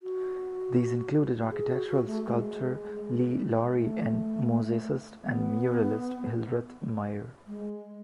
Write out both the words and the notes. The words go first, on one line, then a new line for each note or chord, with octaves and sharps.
These included architectural sculptor Lee Lawrie, and mosaicist and muralist Hildreth Meiere.
F#4
G#4
F#4
F#4
A3
G#3
A3
B3
G#3